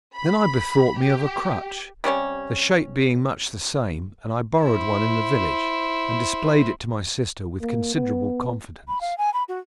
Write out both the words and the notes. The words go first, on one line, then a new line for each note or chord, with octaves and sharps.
Then I bethought me of a crutch, the shape being much the same, and I borrowed one in the village, and displayed it to my sister with considerable confidence.
B5
G4
C3 G3 C#4 C#5
E4 C5
A#3
B3
B5
F5
G#5
B5
F#4